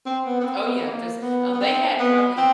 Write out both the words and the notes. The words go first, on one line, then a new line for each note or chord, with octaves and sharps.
Oh yeah, 'cause, um, they had probably
C4
B3
B3
C4
B3
B3
A#3
B3
B3
C4
B3
C4